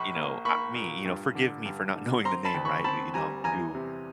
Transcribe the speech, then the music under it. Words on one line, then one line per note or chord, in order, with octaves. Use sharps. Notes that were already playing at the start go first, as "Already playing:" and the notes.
you know, uh me you know, forgive me for not knowing the name, right? You you know, I'm too
Already playing: A#1 B5 C#6
A#3
A#3 B5 C#6
A#2
G2
D3
G2
D3
C4 A#5 C6
A5 B5
D2
B5 C#6
C4 A5 B5
G3 G#5 A#5
E2 G#5 A#5
C3